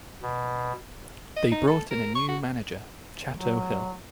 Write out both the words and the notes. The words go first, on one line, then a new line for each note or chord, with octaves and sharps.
They brought in a new manager, Chato Hill.
B2
D#5
D#4
A4
A#4
C#6
F#4
F#3